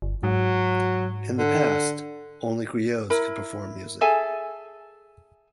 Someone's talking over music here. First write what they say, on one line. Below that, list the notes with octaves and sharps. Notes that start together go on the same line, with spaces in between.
In the past, only "griots" could perform music.
G1
G#2 F#3
D3
E4 A#4 B5
G#4 A4 E5 G#5